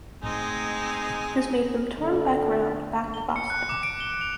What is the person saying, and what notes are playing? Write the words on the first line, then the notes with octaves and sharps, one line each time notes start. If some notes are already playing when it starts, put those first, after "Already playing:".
This made them turn back around back to Boston.
A2 G#3 C4 D#4 G#5
D3
G7
C#7
F#6
D6
D7
G7
F7